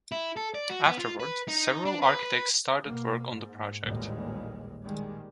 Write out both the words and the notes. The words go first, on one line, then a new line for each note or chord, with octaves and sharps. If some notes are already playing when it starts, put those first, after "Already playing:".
Afterward, several architects started work on the project.
E4
A4
D5
F#4
B3
F4
B4
D#4
D4
B4
B4
B2 A#3
G#2
A1 D#2 A#2 G3 G#3
A#1 D#3 G3 G#3